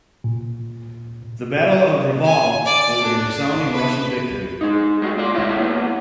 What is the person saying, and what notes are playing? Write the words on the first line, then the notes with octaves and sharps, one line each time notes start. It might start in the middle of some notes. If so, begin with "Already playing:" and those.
The Battle of Reval was a resounding Russian victory.
A#2
G#5
D5
D4
B4
G#3 D#4
G#3 A3 F#4
A#2 F4 D5
G#3 A3 E4 C#5 E5
E3 A#3 B3